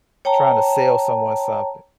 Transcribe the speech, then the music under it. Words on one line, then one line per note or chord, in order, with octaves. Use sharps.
trying to sell someone something.
C#5 G5 A5 A#5